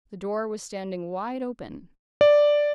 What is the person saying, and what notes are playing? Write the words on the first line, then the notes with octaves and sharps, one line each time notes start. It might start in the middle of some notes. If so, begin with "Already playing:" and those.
The door was standing wide open.
D5